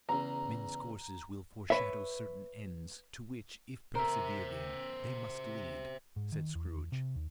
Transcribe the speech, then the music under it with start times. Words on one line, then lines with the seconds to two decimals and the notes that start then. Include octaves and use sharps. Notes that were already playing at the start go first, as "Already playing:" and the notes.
"Men's courses will foreshadow certain ends, to which, if persevered in, they must lead," said Scrooge.
0.09 E2 C#3 A#5
1.70 B4 C#5 E5
3.95 A#4 C5 E5
6.16 G#2
6.32 D#3
6.55 E2
6.92 C3
7.16 D#2